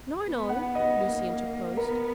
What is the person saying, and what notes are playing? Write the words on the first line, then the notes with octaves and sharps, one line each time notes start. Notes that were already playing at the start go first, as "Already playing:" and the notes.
"No, no," Lucy interposed.
B3
F#5
D#5
A#3
B3 A#4